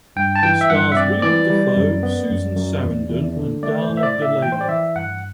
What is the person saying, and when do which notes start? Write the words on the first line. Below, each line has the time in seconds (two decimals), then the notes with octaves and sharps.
It stars Willem Dafoe, Susan Sarandon, and Dana Delany.
0.16 G2 G5
0.36 A5
0.42 E3 G5
0.61 E5
0.70 G2 F#5
0.92 E5
0.97 C4 D5
1.22 E3 D5
1.50 G3
1.76 F#2
2.03 B3
2.30 F#2
2.56 F#2
2.82 E2
3.09 E2
3.36 D3
3.63 A3 D5
3.82 C5
3.89 A2
3.97 E5
4.03 D5
4.16 A2
4.22 E5
4.42 E3 G5
4.52 C5
4.61 D5
4.69 E3 E5
4.95 G2 F#5